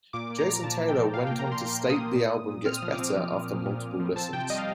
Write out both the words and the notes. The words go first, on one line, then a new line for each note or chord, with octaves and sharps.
Jason Taylor went on to state the album gets better after multiple listens.
A#2 D6
A#2
A#5
F3
A#2 A5
A#2
G5
F3
A#2 F5
A#3 G5
A#5
A#2 C6
A#2
A#3
D#6
A#3
A#2
A#2
A#2
C4 F6
F3 D#6
D6
C4
F3
A#2
A#2
A#2
A#2
F3
C4 A5
C3 G5
G3 D#5
F5